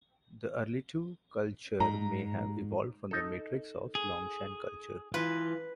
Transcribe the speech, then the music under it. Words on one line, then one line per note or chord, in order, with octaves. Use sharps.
The Erlitou culture may have evolved from the matrix of Longshan culture.
G#2 A#5
D#4 A4
G#4
E3 F4 B4